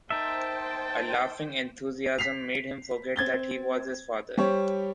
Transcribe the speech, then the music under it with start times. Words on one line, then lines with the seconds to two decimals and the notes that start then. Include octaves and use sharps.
A laughing enthusiasm made him forget that he was his father.
0.10 D#4 A#4 C5 E5 G5 A5
2.19 B6 C7 F7
3.16 C4 G#6 A6 G7
4.37 G3 G4 C5 C#5